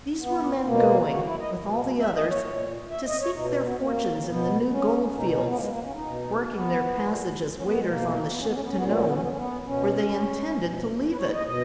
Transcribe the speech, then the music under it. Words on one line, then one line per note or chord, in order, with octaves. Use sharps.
These were men going, with all the others, to seek their fortunes in the new gold fields, working their passage as waiters on the ship to Nome, where they intended to leave it.
B3
B2 A#3
F#4
E4
D#5
B2
E5
D#5
C#5
A#2
E5
D#5
C#5
B2 D#4
C#4
B3
A#3
C#4
B2 B3
C#4
C#4
B2 D#4
C#4
B3
A#3
G#3
A#3
C#4
D#4
B2
B3
A#2
C#4
B3
G#3
B2 A#3
B3
C#4
B3
C#4
B3
C#4
A#2 B3
C#4
B3
C#4
B3
C#4
B3
C#4
B3
B2 C#4
B2
B4
C#5
D#5
B2 D#5